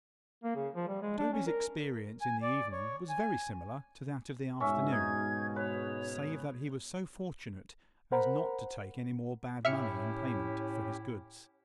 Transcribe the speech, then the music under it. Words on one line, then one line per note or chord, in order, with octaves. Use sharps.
Toby's experience in the evening was very similar to that of the afternoon, save that he was so fortunate as not to take any more bad money in payment for his goods.
A#3
C#3
F3
G3
G#3
D4
C#4
A#4
G#5
D5
C#5
G#5
G#2 B2 C#4 E5
D#4 G#6
B4 C#5
A#4 C5 F#5 A#5 B5
A2 C#4 E4 G4 E5 F6 C#7